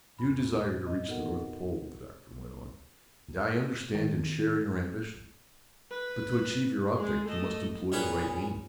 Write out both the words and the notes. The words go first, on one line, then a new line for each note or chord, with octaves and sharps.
"You desire to reach the North Pole," the Doctor went on; "and I understand and share your ambition, but to achieve your object you must employ the right means."
E2 G#2 B5
A#2
D#5
B3 D#4 F#4 A4 A#4 F#5
D#3
B4
G#3 G#4
A3 D#5
A#2 C#4 G#4 B4 F#5